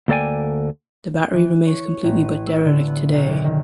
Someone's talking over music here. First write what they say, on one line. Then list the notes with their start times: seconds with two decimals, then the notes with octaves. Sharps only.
The battery remains complete but derelict today.
0.08 D2 A#3 A4 D5 G5 G#5
1.33 E3
1.66 C#5
2.04 A1
2.24 D#7
2.47 E6
2.65 D3
2.87 B3
3.13 B1
3.27 F#1
3.44 D#3